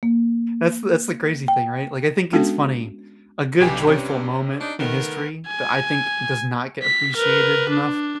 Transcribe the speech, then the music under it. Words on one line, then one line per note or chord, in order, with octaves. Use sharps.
that's that's the crazy thing, right, like, I think it's funny, a good joyful moment in history that I think does not get appreciated enough
A#3
G5
G#3 B3 C#4 D4 F#4 A4
B1 G2 G4 G#5
C3 C#4
D4 D#4
D#3 A3 B3 A#4
G#5
B6
A#4 B4
D4